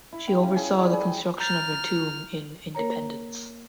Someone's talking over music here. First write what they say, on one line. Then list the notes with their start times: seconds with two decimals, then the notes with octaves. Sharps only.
She oversaw the construction of her tomb in Independence.
0.13 E4
0.28 G5
0.43 C#3
0.56 G#4
0.78 G3
0.93 G#4
1.05 G5
1.40 A#5 F6 G6 A6
2.75 A#3 A#4 C#5 A#5